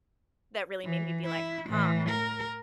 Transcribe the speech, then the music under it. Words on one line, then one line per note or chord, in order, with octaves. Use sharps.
that really made me be like, "Huh,
E3
E4
A2 E3
A#4